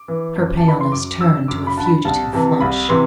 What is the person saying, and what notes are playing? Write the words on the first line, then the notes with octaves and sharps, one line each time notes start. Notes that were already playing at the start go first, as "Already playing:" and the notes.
Her paleness turned to a fugitive flush.
Already playing: D6
E3
F#2
A5
E3 B5
C6
F#2 D6
D3 E6
F#2 D6
B5
D3 A5
B5
C2 A5
C3 E3 A5
C2 B5
C3 E3 C6